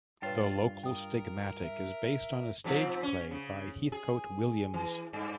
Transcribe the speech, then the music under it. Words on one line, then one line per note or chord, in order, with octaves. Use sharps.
"The Local Stigmatic" is based on a stage play by Heathcote Williams.
G2 F4 B4 C#5 G5 A5
A#4 G5 D#6
E5
G#2 F3 C4
C#4
C#3
G#4
E3
G2